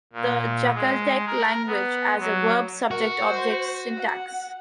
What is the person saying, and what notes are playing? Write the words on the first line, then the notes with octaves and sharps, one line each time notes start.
The Jakaltek language has a verb-subject-object syntax.
A#2
G#3
A#4
B3
F#3
F#4 A#4
C5
F#5